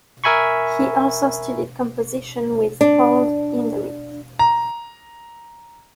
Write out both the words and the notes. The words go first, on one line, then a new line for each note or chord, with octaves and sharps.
He also studied composition with Paul Hindemith.
A#4 E5 G#5 B5 C#6
D4
A#5